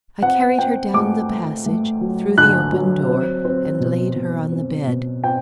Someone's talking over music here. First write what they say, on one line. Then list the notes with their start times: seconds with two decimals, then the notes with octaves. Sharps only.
I carried her down the passage, through the open door and laid her on the bed.
0.22 C4 F#5
0.58 C4 G5
0.94 A3 D6
1.30 A3
1.66 A3
2.01 F#3
2.38 D3 F#6
2.73 F#3
3.08 C4
3.45 C4
3.80 B2
4.16 B2
4.52 C4
4.87 B2
5.24 C4 G5